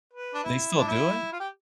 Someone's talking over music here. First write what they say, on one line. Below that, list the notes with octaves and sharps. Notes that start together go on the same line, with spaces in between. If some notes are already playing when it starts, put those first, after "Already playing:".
they still do it?
B4
D4
E4
D4
E4
F4
G4